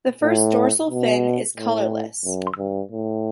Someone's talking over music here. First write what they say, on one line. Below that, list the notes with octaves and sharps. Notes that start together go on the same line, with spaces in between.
The first dorsal fin is colourless.
A2
B2
A2
F#2
G2
A2